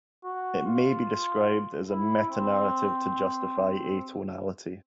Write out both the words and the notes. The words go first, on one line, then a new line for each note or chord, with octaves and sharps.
It may be described as a metanarrative to justify atonality.
F#4
F4
E4
C4